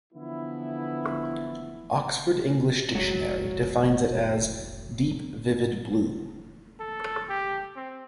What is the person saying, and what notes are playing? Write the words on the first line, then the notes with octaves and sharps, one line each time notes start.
Oxford English Dictionary defines it as "deep vivid blue".
D3 E3 F3 B3 E4
F1 A#1 G#3 F#4 C#5 F#5
A4
G4
C4